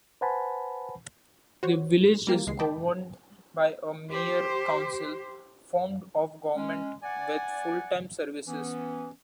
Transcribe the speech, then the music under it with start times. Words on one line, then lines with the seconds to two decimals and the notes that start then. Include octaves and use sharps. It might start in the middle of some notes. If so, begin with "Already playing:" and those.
The village is governed by a mayor-council form of government, with full-time services.
0.21 B4 C5 F#5 G#5 A5 B5
1.63 F#4 C5 C#5
2.27 G3 A#3 G4
2.47 C#2 G#3 C7
2.60 D#5 G5 A5 B5 D6
4.10 G4 C5
6.56 G#3 C#4
7.03 D5 F#5 G#5
8.48 E3 B3 C#4